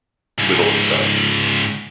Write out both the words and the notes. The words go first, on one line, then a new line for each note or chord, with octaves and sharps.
little stuff.
C#2 G#2